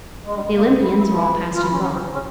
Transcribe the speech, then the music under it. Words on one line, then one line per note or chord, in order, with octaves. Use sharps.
The Olympians are all past and gone.
G#3
G2 G3
G#2 G#3
A#2 A#3
C3 C4
E3 E4
E3 E4
E3 E4
F4
E3 E4
C#3 C#4
C#3 C#4
C3 C4
C#3 C#4